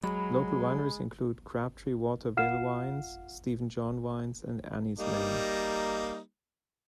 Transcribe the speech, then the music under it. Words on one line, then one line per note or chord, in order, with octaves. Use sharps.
Local wineries include Crabtree Watervale Wines, Stephen John Wines and Annie's Lane.
F#3 G#3 B5
F4 F5 F#5 F6 C7 E7
G3 A#3 D#4